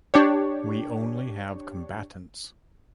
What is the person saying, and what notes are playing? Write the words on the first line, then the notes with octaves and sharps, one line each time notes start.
We only have combatants.
D4 G4 C#5